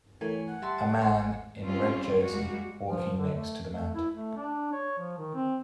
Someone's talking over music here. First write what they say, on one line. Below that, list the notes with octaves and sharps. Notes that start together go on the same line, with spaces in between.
A man in red jersey walking next to the mountain.
E3 A3 A#4 C#5 G#5
F#5
G3 E5 A5 C6
G#1 G#2 G#5 C6
G3 C4 C#4 F4
G3 G#3 A#3 F#4
F3
D3
A3
A3
E4
A3
D4
C#5
F3
D#3
C4